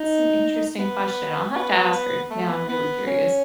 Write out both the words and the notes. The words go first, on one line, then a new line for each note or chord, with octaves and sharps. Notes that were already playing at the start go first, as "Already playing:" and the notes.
it's an interesting question. I'll have to ask her, now I'm really curious.
Already playing: D#4
B3
B3
A3
B3
B3
C#4